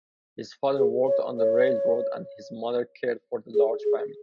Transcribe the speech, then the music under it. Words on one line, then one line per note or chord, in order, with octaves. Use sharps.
His father worked on the railroad, and his mother cared for the large family.
G#4
C#5
C#5
G#4
G#4